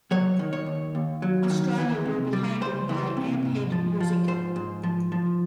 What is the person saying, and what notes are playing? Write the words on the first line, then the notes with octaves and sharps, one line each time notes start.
Australia will be handled by AmpHead Music.
F#3 C#5
D#3
C#5
D#2
D#2
F#3
D#3
E3
C3
G3
C#2 C5
E3
C3
G#2
F3
F3
G#2 C5
G#2
F3
F3